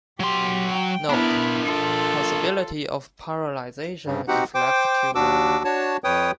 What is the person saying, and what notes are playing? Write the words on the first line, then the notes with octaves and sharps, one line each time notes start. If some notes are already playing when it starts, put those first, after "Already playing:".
Note: Possibility of paralyzation if left too long.
F#3 G4 C6
G5
B3 D4 E4 A#4
F4 A4
G2 C#3
C4 D#4 F#4 G4 F#5
C5 G5 D6
D#2 D4 F#4 D6 E6
D4 F#4 C#5 A5
F2 B4 C#5 G5 D#6